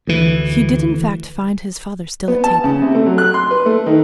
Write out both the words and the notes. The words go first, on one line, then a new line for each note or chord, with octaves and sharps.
He did in fact find his father still at table.
D2 E3
B3
A5
C#3
C3
A3
F#3
F#6
C6
B4
A3
D#3